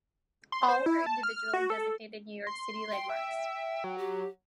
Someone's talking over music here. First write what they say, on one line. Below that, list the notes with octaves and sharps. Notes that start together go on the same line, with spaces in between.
All are individually designated New York City landmarks.
C6
C5
E4
A5
F6
F#4
A4
C6
G5
E5
F#3
G4